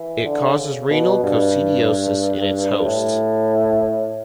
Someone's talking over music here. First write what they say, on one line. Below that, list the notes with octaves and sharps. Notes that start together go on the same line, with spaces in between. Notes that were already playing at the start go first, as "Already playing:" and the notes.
It causes renal coccidiosis in its host.
Already playing: E3
D3
C#3
B2
G2
A2